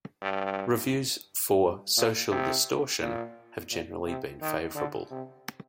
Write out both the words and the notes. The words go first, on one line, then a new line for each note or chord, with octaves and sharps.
Reviews for "Social Distortion" have generally been favorable.
G2
G2
A#2
C3
A#2
A#2
C3
D#3
D3
C3